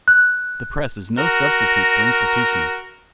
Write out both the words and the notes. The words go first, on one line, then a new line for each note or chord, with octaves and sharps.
The press is no substitute for institutions.
F#6
F#4 A#4